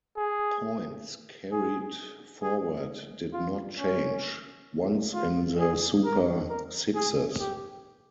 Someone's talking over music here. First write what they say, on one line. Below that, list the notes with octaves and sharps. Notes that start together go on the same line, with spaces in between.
Points carried forward did not change once in the Super Sixes.
G#4
G#4
G#4
F4
C#4
F4
G#4
A#4
A#4
G#4
G4